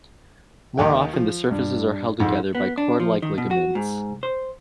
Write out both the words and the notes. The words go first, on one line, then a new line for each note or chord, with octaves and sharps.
More often the surfaces are held together by cord-like ligaments.
D#2 D#3 G5
F3
G2
F2 G#2
B3
D4
F3
D#3
B2
F#4
G#2
C5